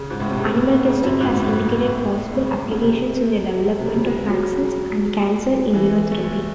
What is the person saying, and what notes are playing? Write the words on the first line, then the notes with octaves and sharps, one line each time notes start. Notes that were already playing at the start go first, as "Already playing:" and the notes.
Animal testing has indicated possible applications in the development of vaccines and cancer immunotherapy.
Already playing: C#3
G#2
A2
C3
C#3
C#3
F#2
G#2
A2
C#3
C#3
C3
C3
C#3
C3
G#3
F#3
E3
A3
G#3